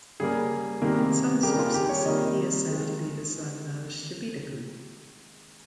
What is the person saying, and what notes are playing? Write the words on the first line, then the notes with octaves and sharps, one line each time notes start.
In some sources he is said to be the son of Shebitku.
C#3 G3 A#3 G#4
C3 D#3 G3 A#3
C#3 G3 A#3 G4
F4
G4
C#5
C3 D#3 G3 A#3 D#5
D#3 G#3